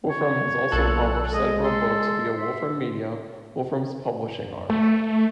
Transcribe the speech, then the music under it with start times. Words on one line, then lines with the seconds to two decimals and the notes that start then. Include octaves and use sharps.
Wolfram has also published several books via Wolfram Media, Wolfram's publishing arm.
0.10 C#5
0.71 B1 A#2 A4 F#6
1.34 G#3 D#5
1.64 A4 C6
2.38 E5
4.70 A3